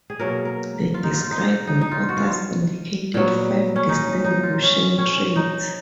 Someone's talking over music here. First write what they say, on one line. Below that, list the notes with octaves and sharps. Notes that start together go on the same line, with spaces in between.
The describing authors indicated five distinguishing traits.
G#4
B2 F#3 A#3 A#4
A#4
F4
D#4
F4
F4
D#4
D#4
D#4
F4
F#4
F4
A#2 F#3 B3
C#4
D#4
D#4
D#4
F4
C#4
C#4
C#4
D#4